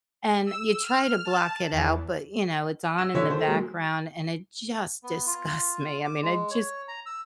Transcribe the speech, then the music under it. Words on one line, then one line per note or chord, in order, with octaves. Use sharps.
and you try to block it out, but, you know, it's on in the background, and it just disgusts me. I mean, I just
E6
F6
A5
E2
E6 A#6 E7
D3 C#5 E6 B6
D#3 A4 C5
F#3 G#3 A#3
B3
F4
D6
G#3
C#5
A#5
E6